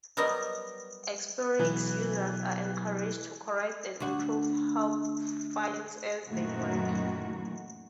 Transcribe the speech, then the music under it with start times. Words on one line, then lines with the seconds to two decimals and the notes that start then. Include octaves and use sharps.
Experix users are encouraged to correct and improve help files as they work.
0.17 F#3 G3 B3 A#4 D#5
1.59 B1 E3 B4
4.00 D2 F#4
6.28 F#2 A#2 D#3 E3 A3 F#4